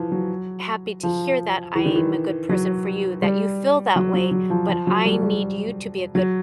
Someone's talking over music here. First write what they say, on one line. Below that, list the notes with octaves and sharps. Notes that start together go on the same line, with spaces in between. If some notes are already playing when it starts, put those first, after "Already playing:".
happy to hear that I'm a good person for you, that you feel that way, but I need you to be a good
Already playing: E3 F3
F#3
F3
E3
D#3
E3
F#3
G3
F#3
F#3
F#3
F3
F3
F#3
G3
G3
F#3